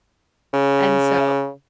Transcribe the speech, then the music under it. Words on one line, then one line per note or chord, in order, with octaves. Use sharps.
and so,
C#3